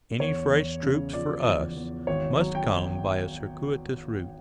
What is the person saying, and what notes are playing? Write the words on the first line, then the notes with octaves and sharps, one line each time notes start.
Any fresh troops for us must come by a circuitous route.
E2 C#5
E2
C#3
F3 D5
E2
E2
G#1 C#5
F#3
G5